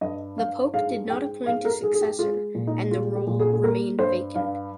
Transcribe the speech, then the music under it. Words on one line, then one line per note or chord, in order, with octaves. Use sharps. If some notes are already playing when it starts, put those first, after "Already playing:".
The Pope did not appoint a successor, and the role remained vacant.
G2 D#5
G2 F5
G#2 F5
G#2 G5
G#2 F5
A#4
G#2 G#4
G#4
G4
G#3 F4
A#2
D#4
G#3 F4
G4
A#2
G#4
G#4
A#3 A#4
G2 C5
G2 F5